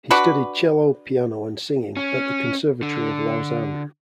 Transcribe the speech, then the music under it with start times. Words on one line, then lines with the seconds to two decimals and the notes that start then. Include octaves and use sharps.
He studied cello, piano and singing at the Conservatory of Lausanne.
0.11 D4 F#4 B4
1.97 C#4
2.82 D3